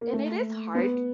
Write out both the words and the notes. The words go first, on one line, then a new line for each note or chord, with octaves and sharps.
And it is hard
A#3
A3
B3